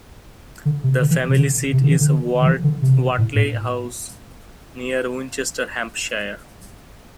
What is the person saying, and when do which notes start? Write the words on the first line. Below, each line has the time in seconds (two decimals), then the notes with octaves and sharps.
The family seat is Watley House, near Winchester, Hampshire.
0.65 D3
0.84 C3
1.01 D3
1.10 E3
1.29 C3
1.38 D3
1.73 C3
1.83 D3
1.91 E3
2.00 D3
2.42 D3
2.46 E3
2.64 D3
2.82 C3
3.18 A2
3.36 A2